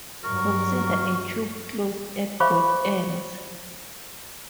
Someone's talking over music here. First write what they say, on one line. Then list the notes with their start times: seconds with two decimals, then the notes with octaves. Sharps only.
Consider a tube closed at both ends.
0.24 G2 F#3 A#4 C#6
2.40 C5 E5 F5 B5 C#6 D6